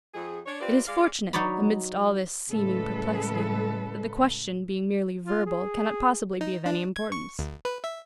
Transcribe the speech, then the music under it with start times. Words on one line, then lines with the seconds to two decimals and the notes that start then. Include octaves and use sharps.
It is fortunate, amidst all this seeming perplexity, that the question, being merely verbal, cannot possibly be of any importance.
0.14 F2 G#4
0.46 D4 C#5
0.61 C4 F4 G4 B4 D5
0.88 G#3 D5 F5
1.33 F#3 D#4 C#5 D5 B5
2.50 A2 C#3 G3 G#3 A4 B4
5.26 F4
5.46 G#4
6.41 D#4
6.66 D4
6.96 G#6
7.12 C#6
7.39 D2
7.65 B4
7.84 E5